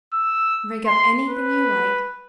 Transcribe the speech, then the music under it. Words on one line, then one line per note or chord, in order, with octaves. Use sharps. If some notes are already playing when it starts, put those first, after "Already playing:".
Rig up anything you like....
E6
C6
B4